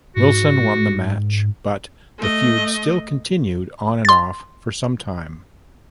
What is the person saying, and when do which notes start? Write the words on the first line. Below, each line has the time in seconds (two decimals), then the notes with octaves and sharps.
Wilson won the match, but the feud still continued on-and-off for some time.
0.16 G#2 F#4
2.19 A3 D#5
4.05 C6 A6